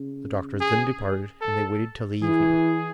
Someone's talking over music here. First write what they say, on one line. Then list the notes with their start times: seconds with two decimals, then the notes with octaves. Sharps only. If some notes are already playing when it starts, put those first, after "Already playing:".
The doctor then departed, and they waited till the evening.
Already playing: C#3
0.60 G#4
1.41 A4
2.22 E3 G#4